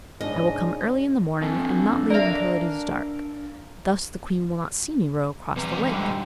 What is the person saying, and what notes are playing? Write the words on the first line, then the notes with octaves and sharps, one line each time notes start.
I will come early in the morning and not leave until it is dark; thus the queen will not see me row across the lake.'
G#2 C#3 D4 D#5
F2 D4 A4 G#5
A#4 D5 E5 F5
E2 C3 G3 A#5
G#2 B2 D3 G3